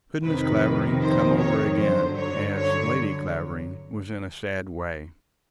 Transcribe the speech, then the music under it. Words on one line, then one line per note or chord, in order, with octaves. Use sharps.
Could Mrs. Clavering come over again, as Lady Clavering was in a sad way?
F2 C3 D#3 B4
C5
C#5
G2 D3 F#3 C5
C#5
C#5